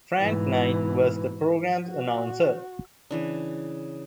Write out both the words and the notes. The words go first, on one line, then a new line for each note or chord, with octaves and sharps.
Frank Knight was the program's announcer.
G#2 B2 E3
F#4
C#3 E3 D4